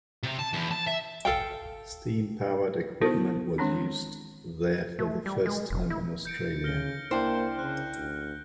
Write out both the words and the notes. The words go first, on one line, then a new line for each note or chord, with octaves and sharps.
Steam-powered equipment was used there for the first time in Australia.
C3
A5
E2
A5
E5
A4 F5 G5
B3 D#4 E4 F#4 A#4 C5
D#3 G#3 C4 D4
A3
G3
G#3
F1
E4
G6 C#7 D7
C#3 F6 A#6 G7
C2 A#3 D4 E4 C5 G5 F6
C#3 F#6
D2